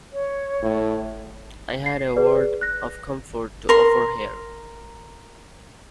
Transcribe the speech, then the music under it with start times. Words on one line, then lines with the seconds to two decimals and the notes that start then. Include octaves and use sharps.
I had a word of comfort to offer here.
0.12 C#5
0.63 A2
1.86 C7
2.16 G#4 B4 D5
2.61 F#6 A#6
3.69 A#4 C6